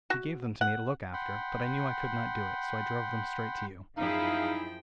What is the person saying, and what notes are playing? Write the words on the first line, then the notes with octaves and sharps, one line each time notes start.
'He gave them to me to look after, but I knew I could not do it, so I drove them straight to you.
F#4
F#5
F#5 G5 B5 C6
F#2 F3 D#4 E4 G#4 F5 G5